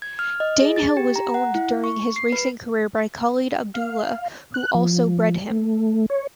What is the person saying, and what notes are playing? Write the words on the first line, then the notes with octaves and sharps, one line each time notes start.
Danehill was owned during his racing career by Khalid Abdullah, who also bred him.
G#6
F6
D#5
G#4
A6
G4
A#5
F#5
E4
C#6
C7
B4
F5
F#6
F3
A3
C#5